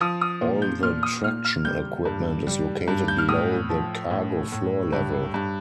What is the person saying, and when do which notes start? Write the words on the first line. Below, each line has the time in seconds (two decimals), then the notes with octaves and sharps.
All the traction equipment is located below the cargo floor level.
0.01 F3 D#6
0.21 D#6
0.41 A#2
0.62 G6
0.83 A#2 F6
1.03 D#6
1.23 A#2 F6
1.45 F6
1.65 G3 G6
2.05 G2
2.47 G3
2.88 G2
3.08 G6
3.18 F6
3.28 A2 D#6
3.69 F3
4.10 A2
4.52 A2
4.93 G2
5.34 G2